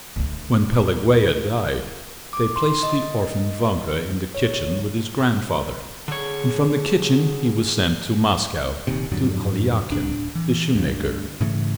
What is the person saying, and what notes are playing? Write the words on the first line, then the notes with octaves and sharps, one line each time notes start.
When Pelagueya died, they placed the orphan Vanka in the kitchen with his grandfather, and from the kitchen he was sent to Moscow to Aliakhin, the shoemaker.
D2 D3
D6
C6
D#5
C#5
D3 G#4 C#5
D#1 D#2 C3
F2 G#2 D3 F#3
D1 D4
E3
D2 G2
G#2 C#3 E3 A3